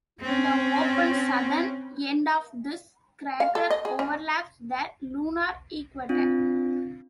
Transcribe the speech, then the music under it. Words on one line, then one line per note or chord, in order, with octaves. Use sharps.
The open southern end of this crater overlaps the lunar equator.
C4 C#4
F5
A4
D#5
G#4
C#4
C4 D4 F4